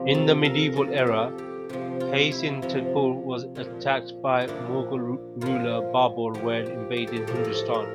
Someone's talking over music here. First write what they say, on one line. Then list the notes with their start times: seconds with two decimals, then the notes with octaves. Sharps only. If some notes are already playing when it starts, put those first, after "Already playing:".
In the medieval era, Hastinapur was attacked by Mughal ruler Babur when invading Hindustan.
Already playing: C3 F3 C4
0.15 A4
0.45 A#4
0.76 C3 F3 A4
0.98 G4
1.07 A4
1.38 G4
1.69 C3 F3 G4
2.00 F4
2.32 E4
2.62 C3 F3
3.55 A#2 F3
4.41 E4
4.48 A#2 F3 D4
5.41 A#2 F3 F4
6.34 A#2 F3 G4
6.66 G4
6.97 G4
7.07 A4
7.16 G4
7.27 A2 F3 A4
7.35 A#4
7.44 A4
7.74 A#4